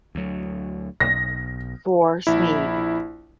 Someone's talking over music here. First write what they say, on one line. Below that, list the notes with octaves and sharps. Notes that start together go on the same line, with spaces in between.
For Smeed.
D2 F#3
B1 A#6
A#1 E4